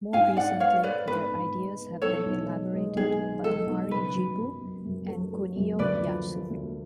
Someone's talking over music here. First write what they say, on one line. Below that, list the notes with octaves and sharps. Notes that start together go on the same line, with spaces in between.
More recently, their ideas have been elaborated by Mari Jibu and Kunio Yasue.
G#2 F5 G#5
G#2 D5 F#5
B3 C#5 F5
G#3 B4 D5
G#2 B4
G#2
G#3
B3
B1 A4 C#5
B1
G#3
G#3
B1 G#4
G#3
G#3 A4
B1
C#3 B4
F#3
F#2
F#2
F#2
A3
A3
F#2
D2 B4 D5
F3
F3
D2